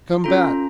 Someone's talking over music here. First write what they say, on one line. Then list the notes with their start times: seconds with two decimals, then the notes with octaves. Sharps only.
Come back!
0.24 C#4 F4 A4 A#5